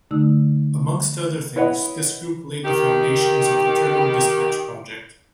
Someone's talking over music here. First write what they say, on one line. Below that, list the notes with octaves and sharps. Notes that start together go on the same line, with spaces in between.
Amongst other things, this group laid the foundations of Turbo Dispatch project.
D3 A3 D#4 E6
E4 B4 C#5 D#5 F#5
D#3 G4